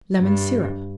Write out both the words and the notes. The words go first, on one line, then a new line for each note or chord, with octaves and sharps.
Lemon Syrup.
G2